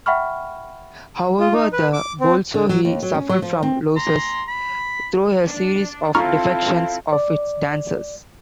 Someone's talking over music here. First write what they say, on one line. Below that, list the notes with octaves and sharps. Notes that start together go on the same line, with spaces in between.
However, the Bolshoi suffered from losses through a series of defections of its dancers.
E5 F#5 G5 B5 C#6 F6
F4
D#4
B4
D6
C4
D3
F#3
D#2
F#3
C#4
F#3
F3
C4
A#5 C6
B5
D4
C4 E4 F4 A4 F5 A#5 C#6 F6
D5